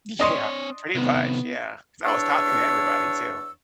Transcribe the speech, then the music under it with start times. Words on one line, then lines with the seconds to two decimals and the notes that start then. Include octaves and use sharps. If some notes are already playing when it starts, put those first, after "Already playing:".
Yeah. Pretty much, yeah, 'cause I was talking to everybody too.
0.20 C4 D4 C#5 D#5 C6
0.95 C3 D#3 B3
2.05 E2 D4 C#5 E6